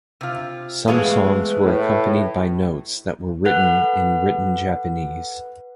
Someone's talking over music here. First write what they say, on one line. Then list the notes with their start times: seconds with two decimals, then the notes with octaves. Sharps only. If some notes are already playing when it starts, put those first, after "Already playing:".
Some songs were accompanied by notes that were written in Written Japanese.
0.21 C3 F4
0.88 E3 G#3 A3 B3 G#4 B4 F5
1.64 A2
3.45 A4 B4 F#5 F#6